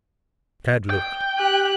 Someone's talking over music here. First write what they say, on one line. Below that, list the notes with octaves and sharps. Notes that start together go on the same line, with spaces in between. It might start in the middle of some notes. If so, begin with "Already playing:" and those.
Tad looked.
G5
G4 F#6